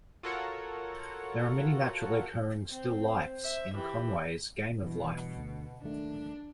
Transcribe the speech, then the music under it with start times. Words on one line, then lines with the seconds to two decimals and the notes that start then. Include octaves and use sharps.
There are many naturally occurring still lifes in Conway's Game of Life.
0.23 F4 F#4 A4 A#4 C#5 F#5
2.70 C4 C5
3.44 E5
3.74 E3 G4
4.83 G2 B2 E3
5.37 D2 D3
5.83 D#1 D#3 A3 D4